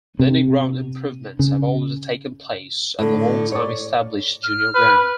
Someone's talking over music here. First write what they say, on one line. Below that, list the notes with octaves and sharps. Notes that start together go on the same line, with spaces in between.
Many ground improvements have already taken place at the long time established Junior ground.
C3
C#3
A2 D3
C#5 D5
F6
B4